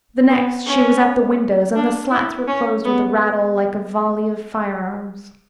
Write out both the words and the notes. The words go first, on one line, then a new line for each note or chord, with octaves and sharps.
The next she was at the windows and the slats were closed with a rattle like a volley of firearms.
B3
C#4
D4
E4
C#4
B3